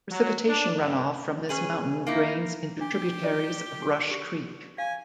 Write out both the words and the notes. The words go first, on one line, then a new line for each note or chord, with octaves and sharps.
Precipitation runoff from this mountain drains into tributaries of Rush Creek.
F#3
D4
G2
C#4 G#4 B4
A#3 D#4 E4
D4 G4
D5
F#4 G#4
G4
F5 G#5